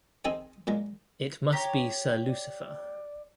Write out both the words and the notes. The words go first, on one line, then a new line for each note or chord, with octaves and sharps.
It must be Sir Lucifer.
C4 D#4 G#4 A4 D#5 G5
A#2 G#3 A#5
G4 C#5 A#5
D5